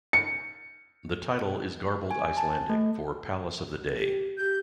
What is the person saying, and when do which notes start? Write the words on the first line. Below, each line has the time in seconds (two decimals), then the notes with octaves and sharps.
The title is garbled Icelandic for "Palace of the Day".
0.13 C#7
2.11 G#5
2.37 A5
2.69 A3
3.99 G4
4.37 G4 G6